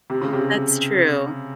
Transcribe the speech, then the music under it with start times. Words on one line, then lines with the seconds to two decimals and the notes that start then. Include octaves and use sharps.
That's true.
0.10 C3
0.21 C#3
0.33 C3